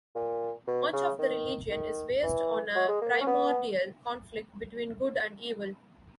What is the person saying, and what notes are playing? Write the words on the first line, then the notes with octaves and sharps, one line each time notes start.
Much of the religion is based on a primordial conflict between good and evil.
A#2
B2
C#3
D#3
D#3
E3
F#3
G#3
A#3
A#3
C#4
B3